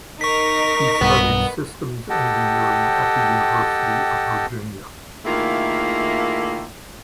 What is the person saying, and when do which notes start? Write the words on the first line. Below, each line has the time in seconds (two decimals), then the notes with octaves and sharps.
She studied systems engineering at the University of Virginia.
0.21 D#4 A#4 C#6 B6
1.01 B1 G2 B3
2.10 G4 A4 D#5 F#5 G5 A5
5.25 D#3 A3 A#3 E4 F4 G#4